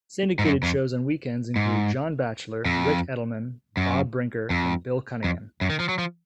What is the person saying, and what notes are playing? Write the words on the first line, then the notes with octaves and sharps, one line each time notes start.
Syndicated shows on weekends include John Batchelor, Ric Edelman, Bob Brinker and Bill Cunningham.
G#2
F#2
F2
G#2
F2
F#2
F2
F2
F#2
D#3
F3
F#3
F3